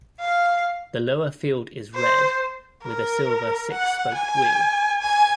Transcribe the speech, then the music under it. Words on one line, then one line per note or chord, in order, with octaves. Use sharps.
The lower field is red with a silver six-spoked wheel.
F5
C5
A#4
F#5
G#5
G#5